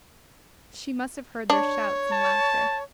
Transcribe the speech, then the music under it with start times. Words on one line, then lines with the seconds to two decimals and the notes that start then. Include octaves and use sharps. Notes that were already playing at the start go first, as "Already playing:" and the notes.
She must have heard their shouts and laughter.
1.50 D4 C#5
2.12 A5